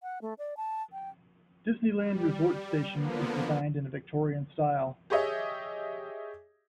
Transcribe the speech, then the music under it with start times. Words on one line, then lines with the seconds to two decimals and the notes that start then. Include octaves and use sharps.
Disneyland Resort station is designed in a Victorian style.
0.03 F#5
0.22 A3
0.39 D5
0.57 A5
0.92 G5
1.95 G3
2.92 D3 F3 A#3 B3
5.10 G4 G#4 C#5 D#5 E5